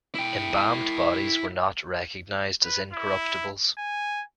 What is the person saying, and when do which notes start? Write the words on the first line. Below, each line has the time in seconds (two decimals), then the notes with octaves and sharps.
Embalmed bodies were not recognized as incorruptibles.
0.15 E4 G5
2.63 B4
2.92 E4
3.78 G#5